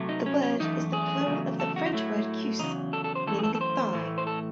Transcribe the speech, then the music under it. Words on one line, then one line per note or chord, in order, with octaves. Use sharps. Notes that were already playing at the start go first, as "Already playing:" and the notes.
The word is the plural of the French word "cuisse" meaning 'thigh'.
Already playing: C3 F#3 A3
D#4
C#4
C#4
F#2 E3 A3 D#4
G#4
E2 C#3 F#3 A3
A4
F#4
D#4
A2 F#3 A3 E4
E2 C#3 F#3 D#4
A4
A4
C5
F#2 E3 A3 A4
G#4
A4
A4
C5
A2 E3 A3
C5
A4